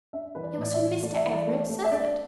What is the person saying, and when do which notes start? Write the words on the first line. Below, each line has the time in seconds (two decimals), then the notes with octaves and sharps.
"It was from Mr. Everett Southard."
0.13 D4 E5
0.35 E3 B4
0.43 D5
0.58 A2 D5
0.73 E5
0.81 E3
1.03 A3 D5
1.16 E5
1.25 E3 D5
1.47 A3
1.69 A3
1.84 E5
1.91 D4 D5